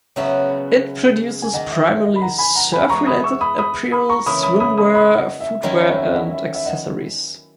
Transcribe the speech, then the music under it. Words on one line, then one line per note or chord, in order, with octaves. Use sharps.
It produces primarily surf related apparel, swimwear, footwear and accessories.
C#3 F#3 B3 F#4 E5
G#5
D#3 A#3 D#4 D#5 F#5
E5
E5
D#5
B5
F#5 A#5
G#5 B5
F#5 A#5
G#5 B5
E3 G#3 B3 A#5 C#6
B5 D#6
C#6 E6
B5 D#6
B5 D#6
B5 D#6
A#5 C#6
C#3 E3 A#3 B5 D#6
B5 D#6
B5 D#6
B5 D#6
B5 D#6
D#5 F#5
E5
D#3 F#3 C#4 E4 D#5
D#5
E5
D#5 F#5
E5
E5
D#5 F#5